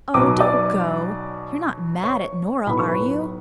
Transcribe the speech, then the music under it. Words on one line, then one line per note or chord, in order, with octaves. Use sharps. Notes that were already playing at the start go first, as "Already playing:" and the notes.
"Oh, don't go; you're not mad at Nora, are you?"
B1 B2 F#3 B3 D6
D5 D6
C#5 C#6
B1 A2 F#3 B3 B5
C#6
B4 B5